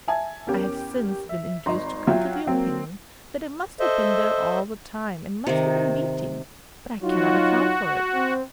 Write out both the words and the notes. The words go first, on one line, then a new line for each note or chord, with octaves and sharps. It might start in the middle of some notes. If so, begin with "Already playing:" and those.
I have since been induced to come to the opinion that it must have been there all the time, and must have been beating, but I cannot account for it.
E5 G#5 A5
E2 C#4 G4 A#4
E5
G#1 D#4 A#5 C6
F#3 F4 E5 G5
F#3 A#3 C4
A4 C5 D#5 E5
C3 D#3
F#3 D#4 F4 F#4
C4